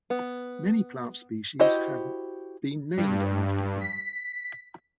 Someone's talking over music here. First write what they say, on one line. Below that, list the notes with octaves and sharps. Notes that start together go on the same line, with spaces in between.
Many plant species have been named after him.
B3
E4 F#4 G4 C5 D#5
G2
B6